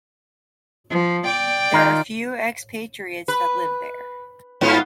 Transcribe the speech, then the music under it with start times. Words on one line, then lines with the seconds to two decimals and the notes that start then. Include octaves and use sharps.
There are few expatriates that live there.
0.90 F3
1.24 D5 G5
1.73 D#3 D#4 F4
3.28 B4
4.61 G#2 B3 F4